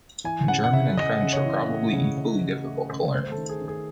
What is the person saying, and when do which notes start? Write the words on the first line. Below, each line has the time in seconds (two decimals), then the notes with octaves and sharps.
German and French are probably equally difficult to learn.
0.24 E3 G#5
0.48 C#3 F#5
0.64 F#5
0.73 C#3 E5
0.97 C#3 D#5
1.21 C#3
1.33 C#5
1.45 E3
1.69 A3
1.93 C#3
2.17 C#3
2.41 C#3
2.65 A3
2.89 C#3
3.13 A3 C5
3.32 A4
3.37 D#3
3.49 G#4
3.61 D#3
3.68 G#4